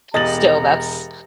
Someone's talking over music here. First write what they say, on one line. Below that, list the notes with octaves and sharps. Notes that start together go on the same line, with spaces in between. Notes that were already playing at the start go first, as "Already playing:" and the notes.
still, that's
E1 G4 D#5 A#5 A6 F#7